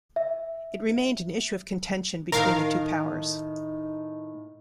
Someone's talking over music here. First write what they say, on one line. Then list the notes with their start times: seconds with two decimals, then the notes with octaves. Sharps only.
It remained an issue of contention between the two powers.
0.16 E5
2.32 A2 D#3 D#4 A#4 F5